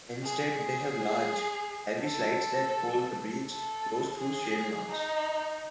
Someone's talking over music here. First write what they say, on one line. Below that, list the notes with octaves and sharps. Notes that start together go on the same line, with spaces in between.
Instead they have large, heavy slides that hold the breech closed through sheer mass.
G#4
G#4
A4
A4
G#4
D#4